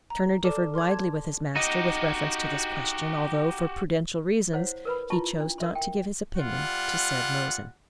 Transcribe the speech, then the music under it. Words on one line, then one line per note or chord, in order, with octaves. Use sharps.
Turner differed widely with his master with reference to this question, although, for prudential reasons, he chose not to give his opinion to said Mosen.
A#5
A4 A#4 D5 A5 D6 E7
A#4 C6 D6 G#6
A5 G#6
D#4 F#4 G4 D#5
E4 C5 C#5 F5 F#5
A#4 B4 B5
E4 F4 A5 A#5 C6 C#6
D4
A#4 E5 C6
G5
G3 F4 F#5